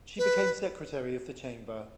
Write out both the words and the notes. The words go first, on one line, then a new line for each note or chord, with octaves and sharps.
She became secretary of the Chamber.
B4